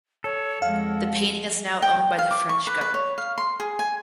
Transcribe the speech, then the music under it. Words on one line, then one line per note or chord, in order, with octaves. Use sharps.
The painting is now owned by the French government.
A4 C#5
F2 G#3 F5 F#5
G5
F5
D6
C#6
B4
B4
C#5
F5
C6
G#4
G#5